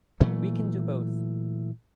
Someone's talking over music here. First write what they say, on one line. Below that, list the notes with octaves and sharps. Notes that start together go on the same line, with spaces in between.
We can do both.
A#2 E3 F#3 A3